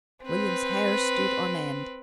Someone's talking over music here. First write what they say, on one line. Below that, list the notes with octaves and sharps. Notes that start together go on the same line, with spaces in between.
William's hair stood on end.
C4 B4